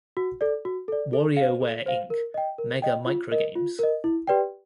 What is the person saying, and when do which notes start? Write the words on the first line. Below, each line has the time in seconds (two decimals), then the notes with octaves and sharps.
WarioWare, Inc.: Mega Microgames!
0.17 F#4
0.41 A4 D5
0.65 F#4
0.88 A4 D5
1.13 A4
1.37 F5
1.42 C5
1.61 A4
1.86 C5 F5
2.10 A#4
2.34 D#5 G5
2.58 A#4
2.82 D#5 G5
3.06 F4
3.31 A#4 D#5
3.56 F4
3.79 A#4 D#5
4.04 E4
4.27 G4 B4 D5 G5